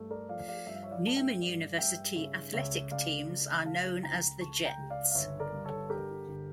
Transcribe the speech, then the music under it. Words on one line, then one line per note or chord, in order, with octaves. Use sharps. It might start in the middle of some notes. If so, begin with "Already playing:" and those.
Newman University athletic teams are known as the Jets.
Already playing: G2 A3
A#4 D5
F3 D5 F5
D5 F5
G2 E5
F5
C#5 E5
D5 F5
A3 A5
E5 G5
G2 D5 F5
G2 E5 G5
C#3 C#5 E5
C#2 C#5 E5
C#2 D5 F5
C#2
C#2 F5 A5
C#2 G5 A#5
C#2 A5 C#6
G5 A#5
C#2
D5 F5
F5
G1 C#5 E5
A#4 D5
G2
A4 C#5
D3 G4 A#4
G1